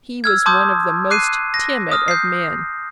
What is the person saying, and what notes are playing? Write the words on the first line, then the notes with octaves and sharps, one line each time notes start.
He was one of the most timid of men.
E6 F6 G#6
A5 C6 D6 D#6 G6
D6 F#6 C7 D#7
A#6
D#6 F6
G6 C7